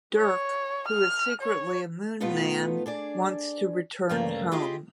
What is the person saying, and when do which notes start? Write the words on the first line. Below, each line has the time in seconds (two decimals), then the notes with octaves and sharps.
Dirk, who is secretly a Moon man, wants to return home.
0.18 C#5
0.88 F6
1.41 C#5
2.20 B2 A3 B3 D#4 F4 B4
2.86 D4 G#4 D5
4.09 D2 G2 C#3 A3 A#3 D5
4.51 E4 F4 G4 G#4 D#5